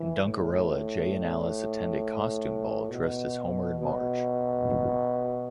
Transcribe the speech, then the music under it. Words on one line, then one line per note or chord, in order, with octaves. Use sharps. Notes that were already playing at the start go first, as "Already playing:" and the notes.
In "Dukerella," Jay and Alice attend a costume ball dressed as Homer and Marge.
Already playing: E3
A2
B2
B2